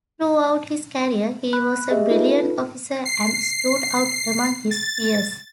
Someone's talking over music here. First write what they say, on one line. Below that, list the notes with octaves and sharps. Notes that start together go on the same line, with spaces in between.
Throughout his career, he was a brilliant officer and stood out among his peers.
B5 F#6
G4 G#4 D#5 E5
D#4 F4 A4 B4
C7
A6